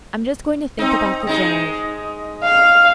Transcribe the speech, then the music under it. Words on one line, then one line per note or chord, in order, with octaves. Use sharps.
I'm just going to think about the drive.
C4 D#4
G#3 D#4
F5